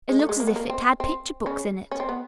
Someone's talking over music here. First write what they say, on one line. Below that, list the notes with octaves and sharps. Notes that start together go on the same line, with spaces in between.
"It looks as if it had picture-books in it."
G#3
A3
G#3
A#3
B3
A#3
C4
C4
C#3 C#4
C#4
C4
B3